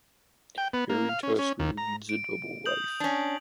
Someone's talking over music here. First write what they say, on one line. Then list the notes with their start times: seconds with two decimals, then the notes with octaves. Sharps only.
Harry Tasker leads a double life.
0.58 G5
0.73 B3
0.90 A#3
1.09 F5
1.23 C#4
1.39 C#4
1.60 D#2
1.78 A#5
2.09 D7
2.66 D#6 G6 F#7
3.00 C#4 D4